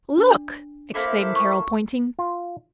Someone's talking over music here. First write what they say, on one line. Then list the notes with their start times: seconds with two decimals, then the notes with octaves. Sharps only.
"Look!" exclaimed Carroll, pointing.
0.18 D4
0.94 A#3 E4 A4 C5 E5 D6
1.36 C#6
2.19 F4